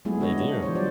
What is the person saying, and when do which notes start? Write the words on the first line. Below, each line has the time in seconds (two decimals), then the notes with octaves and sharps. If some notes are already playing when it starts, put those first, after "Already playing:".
They do.
0.05 F#3 G#3 A3 B3 E4 G#4
0.20 D3 G#3 D4 F#4 C#5 D#5
0.42 G3
0.62 D3 E3 F3 G3 C5 C#5
0.75 F#3 C5 D5